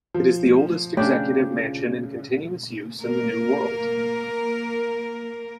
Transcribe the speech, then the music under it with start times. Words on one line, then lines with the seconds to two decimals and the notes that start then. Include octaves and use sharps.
It is the oldest executive mansion in continuous use in the New World.
0.14 F3
0.97 C#3 A3 D4 G4 C#5
3.02 A#3 A#4